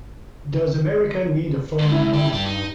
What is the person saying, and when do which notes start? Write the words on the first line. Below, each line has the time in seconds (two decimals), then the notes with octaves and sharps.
Does America Need a Foreign Policy?
1.79 F2 G#2
1.91 E4
2.13 D4 G4
2.33 G2 D4 G4
2.46 D#4